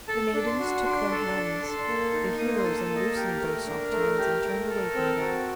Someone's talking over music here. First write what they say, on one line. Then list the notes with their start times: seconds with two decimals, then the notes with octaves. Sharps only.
The maidens took their hands; the heroes unloosed those soft hands and turned away from them.
0.08 A4 A5
0.34 D4
0.47 C6
0.59 F#4
0.85 D4 C6
1.11 A4
1.36 D4
1.63 A4
1.88 A#3
2.14 D#4
2.38 A#3 D#6
2.58 C6
2.64 A4
2.77 A5
2.90 A#3
2.96 D#5
3.15 G4 A#4
3.41 A3
3.66 D4
3.92 A3
4.18 G4
4.43 A3
4.69 A4
4.95 C4
5.20 F#4